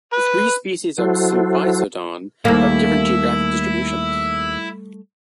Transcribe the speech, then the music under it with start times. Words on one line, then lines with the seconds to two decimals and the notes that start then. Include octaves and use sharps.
The three species of "Symphysodon" have different geographic distributions.
0.13 B4
0.98 F#3 E4 F#4 A4 C5
2.45 D#2 G3 A3 A#3 E4